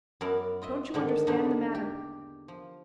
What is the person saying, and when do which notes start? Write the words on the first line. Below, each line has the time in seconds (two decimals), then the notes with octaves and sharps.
Don't you understand the matter?
0.21 F#2 B3 E4 A#4 D5 A5
0.62 F4 D#5 E5
0.94 G#2 D3 D#3
1.27 E2 G#2 D3 A#3 D4 D#4
1.75 G4
2.48 F3